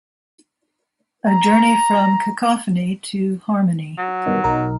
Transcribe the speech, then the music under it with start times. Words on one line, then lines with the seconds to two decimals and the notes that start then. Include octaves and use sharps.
A journey from cacophony to harmony.
1.28 A#5
3.98 F#3
4.26 G2 B2 D#3
4.44 B1 D#4 A#4